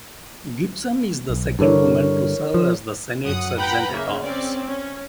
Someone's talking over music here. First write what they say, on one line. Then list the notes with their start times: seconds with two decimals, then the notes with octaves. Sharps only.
Gibson is the second woman to serve as the Senate Sergeant at Arms.
1.30 B1
1.59 G2 D3 E4 A#4 C#5
2.54 F3
3.25 F#2 F#5 D#6 C#7
3.58 B4 F#5 G5 A#5 B5
3.91 C#3 A#3 E5
4.23 C4 C#4 D5
4.65 C#4